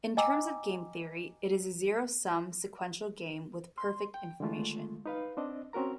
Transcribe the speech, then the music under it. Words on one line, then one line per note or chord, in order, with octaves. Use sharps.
In terms of game theory, it is a zero-sum, sequential game with perfect information.
D#5 G5 G#5 A#5 D6 E6
C6
G5
D3 D#3 G#3 A3 F4
D#4 B4 F5
C4 D4 D#5
C4 C#4 F#4 A#4 A#5